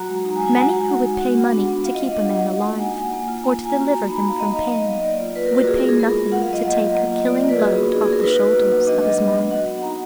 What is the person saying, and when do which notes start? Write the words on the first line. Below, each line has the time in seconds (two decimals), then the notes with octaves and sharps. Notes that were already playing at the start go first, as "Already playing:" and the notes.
Many who would pay money to keep a man alive or to deliver him from pain would pay nothing to take a killing load off the shoulders of his mind.
Already playing: F#3 F#4 A#5
0.09 G#3
0.25 D#4 A#5
0.36 G#5
0.41 G#3
0.46 G#5
0.57 F#4 F#5
0.73 G#3
0.89 D#4
1.05 G#3
1.21 F#4
1.37 B3
1.52 D4
1.69 B3
1.85 F4 F5
1.95 D#5
2.00 G#3
2.05 F#5
2.16 D4 F#5
2.32 G#3
2.49 F#4
2.64 A#3
2.80 D#4 G#5
2.96 A#3
3.13 A#3
3.28 F4
3.44 F4 A#5
3.60 A#3
3.65 G#5
3.76 F#4 A#5
3.86 A#5
3.92 A#3
3.98 A#5
4.08 D#4 B5
4.19 A#3 A#5
4.29 F5
4.39 D#4 D#5
4.56 F#3 F5
4.72 B3 D#5
4.88 F#3
5.04 A#3 D5
5.20 F4
5.36 F4 B4
5.46 A#4
5.52 A#3 F#4
5.67 F4 G#4
5.78 A#4
5.84 G#3 G#4
6.00 B3 A#4
6.16 G#3
6.32 F4 F#5
6.42 F#3 F5
6.53 D#5
6.64 A#3
6.80 F#3
6.95 A#3
7.12 F4
7.27 F4 D5
7.38 D5
7.44 A#3
7.49 B4
7.59 F#4 G#4
7.75 B3
7.92 D#4 G#4
8.02 G#4
8.08 B3 A#4
8.23 D#4 B4
8.39 F#4
8.55 A#3
8.71 F#3
8.87 D4 D#5
9.03 G#3
9.19 B3
9.35 G#3
9.51 F#4 F#5
9.67 B3
9.83 D#4 A#5